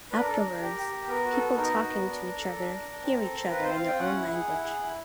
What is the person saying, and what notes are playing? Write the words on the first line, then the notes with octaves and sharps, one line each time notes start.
Afterwards, people talking to each other hear each other in their own language.
D4 B4
A#4
D4 A4
A#4
D4
G4
G4
G4
B3 A#4
F#4
A4
B3
D#4 A#4
F#4
B3
D4
D4
A4
D4
D4
D4
C4
A4
C4
F4 B4
C4 C5
F5
F4 G5
C#4 F#5
E4
G#4
E4
G#4
E4